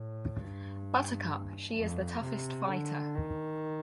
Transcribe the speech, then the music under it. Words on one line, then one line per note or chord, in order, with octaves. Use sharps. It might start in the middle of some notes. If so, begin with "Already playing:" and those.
Buttercup, she is the toughest fighter.
Already playing: A2
G2
F2
C3
D3
D#3